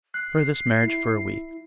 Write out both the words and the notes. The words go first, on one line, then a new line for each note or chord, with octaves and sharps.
Defer this marriage for a week.
F#6 C7
E4